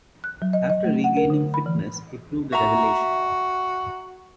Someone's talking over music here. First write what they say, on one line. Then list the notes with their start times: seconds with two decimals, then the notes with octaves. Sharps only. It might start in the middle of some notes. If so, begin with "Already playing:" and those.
After regaining fitness he proved a revelation.
0.24 F#6
0.42 F#3
0.53 D#5
0.70 D#5
0.84 A3
1.04 F#5
1.17 A#4
1.30 D3
1.54 B5
1.66 E3
2.53 F#4 E5 A#5